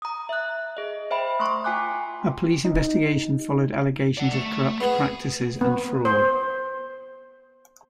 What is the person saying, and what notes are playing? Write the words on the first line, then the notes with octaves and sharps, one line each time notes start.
A police investigation followed allegations of corrupt practices and fraud.
A#5 D#6
E5 F#6
G#4 D#5
C5 E5 G5 B5
A3 C6 C#6
F4 G5 G#5 D6 F#6
D#4
D5 F#5
A3
B3 G#4
B3
C5